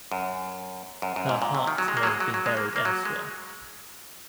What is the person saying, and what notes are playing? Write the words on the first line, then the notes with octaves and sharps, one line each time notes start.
Her heart may have been buried elsewhere.
F#2
F#2
F#2
G#2
A#2
C3
D#3
F#3
G#3
A#3
F#3
G#3
F#3
F#3
G#3
A#3
A#3
F#3
G#3